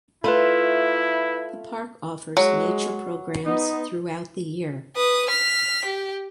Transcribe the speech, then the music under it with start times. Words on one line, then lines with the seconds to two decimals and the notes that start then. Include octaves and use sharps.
The park offers nature programs throughout the year.
0.24 A3 E4 F4 B4 B5
2.37 F#3 G#3
3.45 B3 D#4
4.96 B4 D#6
5.29 F6 B6
5.85 G4